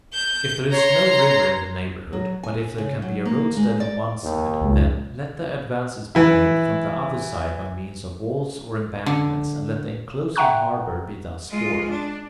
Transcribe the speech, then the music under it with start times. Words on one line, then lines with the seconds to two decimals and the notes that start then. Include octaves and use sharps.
If there is no river in the neighbourhood, but if there can be a roadstead on one side, then, let the advances be made from the other side by means of walls or embankments, and let the enclosing harbour be thus formed.
0.14 G6
0.72 C#5 A#5 C6
2.13 F#3
2.43 G#5
2.78 C#3
3.02 F#3
3.25 A#3
3.57 G#3
3.80 D5
4.23 D#2
4.62 C#2
6.15 E3 E4
9.06 D3
10.36 E5 F#5 G5 A#5 C#6 F#6
11.51 G#3 F4
11.90 D4